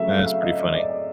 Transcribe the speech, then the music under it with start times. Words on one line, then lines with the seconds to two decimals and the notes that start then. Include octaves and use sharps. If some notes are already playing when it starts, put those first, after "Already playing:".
That's pretty funny.
Already playing: C#3 F#3 A3 E5
0.10 F5
0.26 E5
0.43 D#5
0.59 D5
0.75 D5
0.90 D5